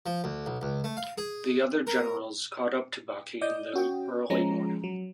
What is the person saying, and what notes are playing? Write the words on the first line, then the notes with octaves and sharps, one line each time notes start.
The other generals caught up to Baqi in the early morning.
F3
D2
B1
C#2
A3
F5
G#4
A#4
D5 D#5 D#6 G6
C#4 F#4 G5
F3 G#3 C#4 A#5
F#3